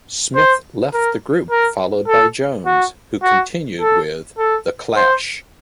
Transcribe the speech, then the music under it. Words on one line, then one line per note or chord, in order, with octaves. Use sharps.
Smyth left the group followed by Jones, who continued with The Clash.
C5
A#4
A#4
A4
F#4
F#4
A4
A4
C5